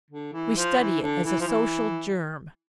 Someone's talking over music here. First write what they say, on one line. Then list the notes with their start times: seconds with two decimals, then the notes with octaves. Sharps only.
"We study it as a Social Germ."
0.11 D3
0.33 E3
0.56 F3
0.79 E3
1.02 D3
1.24 E3
1.40 F3
1.47 E3